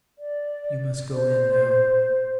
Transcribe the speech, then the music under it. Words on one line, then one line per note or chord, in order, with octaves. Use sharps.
"You must go in now!"
D5
C5